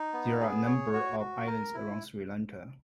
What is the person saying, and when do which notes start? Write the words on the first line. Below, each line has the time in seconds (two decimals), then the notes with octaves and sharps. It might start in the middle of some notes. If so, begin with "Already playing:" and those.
There are number of islands around Sri Lanka.
Already playing: D#4
0.13 B3
0.40 G#4
0.66 C#5
0.93 F#4
1.20 F#4
1.47 A#4
1.74 E4